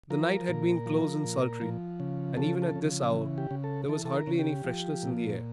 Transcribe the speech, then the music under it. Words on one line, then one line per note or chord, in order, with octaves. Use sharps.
The night had been close and sultry, and even at this hour there was hardly any freshness in the air.
F3 A#4
A#2
F3
A#2
F3
C#3
F3 A4
A4
C#3
E3
G4
C#3
A4
E3 A4
A4
A#4
C#3
G4
F3
A#2